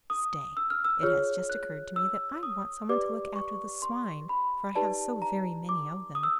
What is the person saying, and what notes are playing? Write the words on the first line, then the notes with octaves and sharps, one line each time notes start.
Stay, it has just occurred to me that I want someone to look after the swine, for I have so very many of them.'
D#6
E6
F6
E6
F4 G#4 C#5 F6
F#6
E6
D#6
G4 B4 D5 D6
C#6
C6
B5
D#4 G4 B4 D5 A5
A#5
D6
D#6
E6